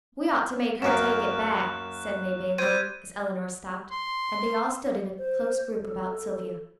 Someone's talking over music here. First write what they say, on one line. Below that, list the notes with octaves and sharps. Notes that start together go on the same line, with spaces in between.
"We ought to make her take it back," said May Bailey, as Elinor stopped, and they all stood in a close group about Sylvia.
F#2 A#3 F#6 E7
G3 C4 G6 G#6 D#7
C6
C5
A4